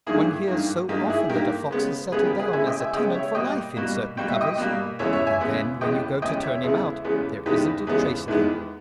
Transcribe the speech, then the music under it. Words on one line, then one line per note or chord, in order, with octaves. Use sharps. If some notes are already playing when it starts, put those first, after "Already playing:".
One hears so often that a fox has settled down as a tenant for life in certain covers, and then when you go to turn him out there isn't a trace of him.
G2 D#3 A#3 E4 G#4
G2 D#3 A#3
G2 D#3 A#3 D#4 G4
E4 G#4
G2 D#3 A#3 G4 A#4
C#3 G#3 B3
C#3 G#3 B3 G#4 B4
G4 A#4
G#4 B4
C#3 G#3 B3 E5 G#5
D#5 G5
E5 G#5
C#3 G#3 B3 D#5 G5
C#5 E5
B2 G3 A#3 D#5 G5
B2 G3 A#3
B2 G3 A#3 G5
E5
D#5 G5
B2 G3 A#3
E2 C#3 G#3 B3 C#5 E5
C#5 E5
E5 G#5
E2 C#3 G#3 B3
E2 C#3 G#3 B3 D#5 G5
E2 C#3 G#3 B3 D#5 G5
C#5 E5
E2 C#3 G#3 B3 E4 G#4
E2 C#3 G#3 B3
E2 C#3 G#3 B3 D#4 G4
E2 C#3 G#3 B3
E2 D#3 G#3 B3